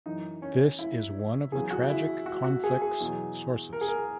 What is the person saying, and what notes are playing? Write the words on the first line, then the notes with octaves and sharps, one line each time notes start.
This is one of the tragic conflicts sources.
F#2 E3 D#4
C#4
E4
E2 C#3 F#3 G#4
F#4
E4
F#4
F#4
G#4
G#4
E2 B2 F#3
A#4
G#4
A#4